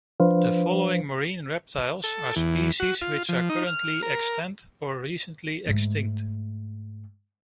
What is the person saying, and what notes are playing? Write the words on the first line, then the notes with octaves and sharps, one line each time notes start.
The following marine reptiles are species which are currently extant or recently extinct.
F3 D4 B4 C5 F5
A4
E2
F#4
F4
F3
D#4
F6
A#4
G#2 A3